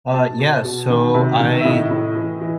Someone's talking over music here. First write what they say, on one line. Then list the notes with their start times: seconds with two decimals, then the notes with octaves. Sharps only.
Uh, yeah, so I
0.14 B2 A5
0.39 B2
0.65 B2
0.90 D#3
1.14 C3
1.40 D#3
1.61 E5
1.65 A2 D#5
1.91 A2
2.16 E3
2.42 E3